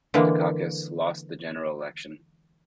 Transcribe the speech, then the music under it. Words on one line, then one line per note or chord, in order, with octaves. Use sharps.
Dukakis lost the general election.
D3 E3 G#3 A#3